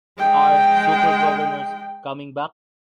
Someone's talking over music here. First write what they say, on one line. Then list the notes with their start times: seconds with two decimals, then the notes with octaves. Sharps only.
Are "Super Governors" coming back?
0.19 G#3 G5